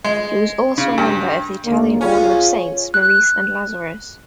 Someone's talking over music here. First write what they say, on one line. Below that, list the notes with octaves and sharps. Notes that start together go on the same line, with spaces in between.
He was also a member of the Italian Order of Saints Maurice and Lazarus.
G#3
C#3
G2
D#2 D3 A#3
C#4 F4 G#4
F#6